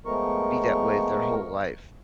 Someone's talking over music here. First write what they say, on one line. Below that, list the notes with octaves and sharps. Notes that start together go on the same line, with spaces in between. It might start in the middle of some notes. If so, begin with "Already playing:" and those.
be that way their whole life,
F3 G#3 A3 B3 A#4 C#6